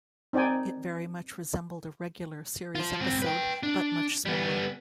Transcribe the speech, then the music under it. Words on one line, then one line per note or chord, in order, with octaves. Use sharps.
It very much resembled a regular series episode, but much smaller.
C4 D#4 D5 G5 G#5
F4 C5
G#2 C4
B4 G5
D4
G3 B3